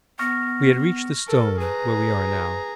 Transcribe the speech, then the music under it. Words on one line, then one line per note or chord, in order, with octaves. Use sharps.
We had reached the stone where we are now.
B3 C#6 F6 A#6
A4 A#4
G#4 B4 A#5